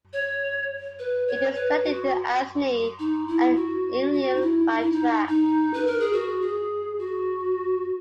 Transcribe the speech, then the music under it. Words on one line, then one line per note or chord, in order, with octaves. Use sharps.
It is connected to Asni and Imlil by tracks.
C#5
B4
C#5
B4
F#4
D#4
E4
F#4
F#4
D#4
E4
D#4
E4
D#4
D#4
B4
A#4
G#4
F#4
G#4
F#4